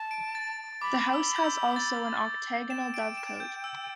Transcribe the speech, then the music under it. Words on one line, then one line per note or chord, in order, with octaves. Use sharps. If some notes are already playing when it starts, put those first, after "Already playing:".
The house has also an octagonal dovecote.
Already playing: A5
D7
A6
B5 D6
E6
G6
E6
A6
G5 E7
D7
E7
G6
E6